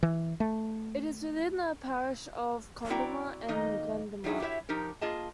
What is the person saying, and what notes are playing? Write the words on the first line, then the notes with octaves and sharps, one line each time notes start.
It is within the parish of Clondermott and Glendermott.
E3
A3
C4 E4 F#4 D5 G5 A#5
F2 D#3 A#3 D#4 D#5
E2 F#3 G3 D#4 E4 G#4
E4 F#4 G4 C5 C#5 E5
F3 D#4 G4 A#4
A#3 F4 G#4 D#5 A5